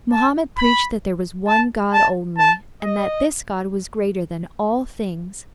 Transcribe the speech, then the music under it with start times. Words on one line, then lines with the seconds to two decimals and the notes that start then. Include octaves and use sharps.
Mohammed preached that there was one God only, and that this God was greater than all things.
0.13 A5
0.58 B5
1.48 A5
1.94 A5
2.38 A5
2.83 D#5